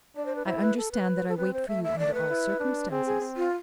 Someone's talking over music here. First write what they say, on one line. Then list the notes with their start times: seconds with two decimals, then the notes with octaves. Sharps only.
"I understand that I wait for you under all circumstances?"
0.16 D4 D5
0.26 C5
0.36 B4
0.46 E4 C5
0.57 A4
0.61 B4
0.77 A4
0.92 B4
1.28 A4
1.37 C4 B4
1.54 C5
1.68 A3 E5
1.84 E5
1.99 A3 D5
2.14 B4
2.30 E4
2.60 D4
2.91 C4 G#4
3.06 G#4
3.21 C4
3.37 F4